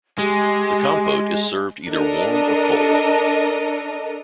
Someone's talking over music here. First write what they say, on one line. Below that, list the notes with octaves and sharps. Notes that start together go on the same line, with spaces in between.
The compote is served either warm or cold.
G#3 G4
D4 A4 A#4 D#5